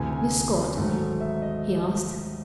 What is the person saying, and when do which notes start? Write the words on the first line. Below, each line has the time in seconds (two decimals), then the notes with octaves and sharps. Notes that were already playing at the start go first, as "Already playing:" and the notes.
"Miss Scott?" he asked.
Already playing: D2 C3 E3 G#5
0.11 G#5
0.77 G#2 D#3 F#3 A3
1.20 E5
1.42 D#5